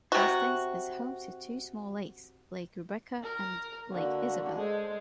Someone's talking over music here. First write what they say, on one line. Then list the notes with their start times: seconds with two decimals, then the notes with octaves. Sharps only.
Hastings is home to two small lakes, Lake Rebecca and Lake Isabel.
0.12 C3 F#4
3.23 A#4
3.92 D3 A#3 F#4
4.57 G#3 A4 C5